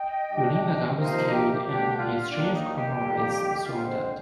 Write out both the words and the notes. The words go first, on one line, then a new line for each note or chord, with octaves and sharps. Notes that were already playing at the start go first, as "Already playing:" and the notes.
Yorinaga was killed and his chief comrades surrendered.
Already playing: D#5 G5
C3 G3 D4 G4
C3 F3 A#3 D#4 A#4 C5 D#5
G4
D2 D3 G3 D4 G4
F4
D#2 D#3 A#3 D4
D#4
G4
F2 D#3 G3 A#3
D3 G#3 C4 F4
C5